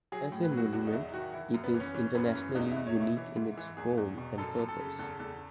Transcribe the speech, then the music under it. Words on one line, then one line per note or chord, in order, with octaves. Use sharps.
As a monument, it is internationally unique in its form and purpose.
F#3 G#4
A2
B4
F#3
F#4
E2 F#4
D#4
E2 E4
D#3 F#4
E3 E4
F#2
B3
E3
C#4
E3 C#4
F#2 B3
C#4
E3
E2 D#4
E2 E4
C#5
B2
E4
E3
G#2
E3
E2 G#4
E2
B2
F#2 A4
F#2
A4
C#3
E2 A4
E2 A4